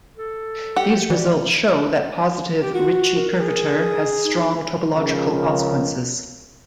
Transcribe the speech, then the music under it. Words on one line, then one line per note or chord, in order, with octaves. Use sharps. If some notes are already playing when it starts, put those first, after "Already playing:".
These results show that positive Ricci curvature has strong topological consequences.
A4
G4 F#5
E3 D5
G4
F4 F#4
A#4
G#4
D#4
C#2 C#3 F3 A#4